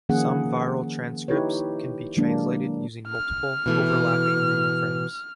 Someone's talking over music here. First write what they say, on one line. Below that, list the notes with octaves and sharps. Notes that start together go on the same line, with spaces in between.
Some viral transcripts can be translated using multiple, overlapping reading frames.
D#3 F3 A#3 C#4 G#4 F#5
D#4 E4 G4 B4 C#5
D#3 F#3 G#3 A#3 D4
F6
B2 E3 A3